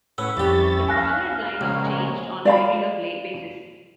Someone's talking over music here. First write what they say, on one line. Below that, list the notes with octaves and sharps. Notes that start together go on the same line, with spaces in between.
The Scholars' lineup changed on a regular basis.
A2 C#4 B4 F#5 E6
C2 F2 C#4 G4 E5 B5 A6
F5 G#5 F#6 A#6
A#1 C#3 G#3 A#3
D5 F5 B5